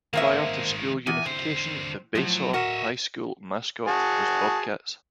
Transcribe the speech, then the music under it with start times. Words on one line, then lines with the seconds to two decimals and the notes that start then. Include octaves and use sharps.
Prior to school unification, the Basehor High School mascot was Bobcats.
0.13 D#3 G#3 A#3 C4 E5
1.07 E2 G#5
1.26 D3 C4 C5
2.15 A2 F3 F#3
2.54 F#4 A#4 D#5 E5
3.88 F#4 G#4 A5